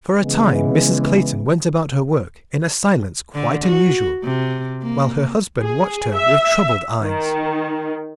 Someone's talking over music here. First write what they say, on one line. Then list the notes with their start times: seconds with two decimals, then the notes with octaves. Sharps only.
For a time Mrs. Clayton went about her work in a silence quite unusual, while her husband watched her with troubled eyes.
0.21 C#3 E3 G#3 B3
3.35 D3
3.66 F#4
4.23 C3
4.83 A#3
5.60 G#4
6.14 E5
7.02 D#3